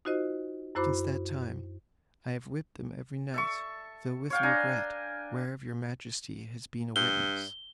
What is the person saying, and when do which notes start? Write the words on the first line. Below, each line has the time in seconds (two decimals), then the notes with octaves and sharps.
Since that time I have whipped them every night, though with regret, whereof your majesty has been a witness.
0.05 D#4 F4 F#4 C5 D#5
0.75 F#2 E4 F#4 C5 B5 D6
3.34 A4 E5 C#6
4.30 C#5 F5 G5
4.43 D4 G5 G#5 A#5
6.96 G2 G7